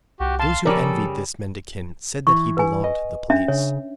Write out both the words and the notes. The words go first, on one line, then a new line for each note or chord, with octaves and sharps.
Those who envied this mendicant said that he belonged to the police.
C2 F#4 G4
F5 A5 C6
C#3 F3 G3 A4 A#4 D5
E3 C#6
B4 G#5
D#5
C#4 D4 E5
C#3 C#5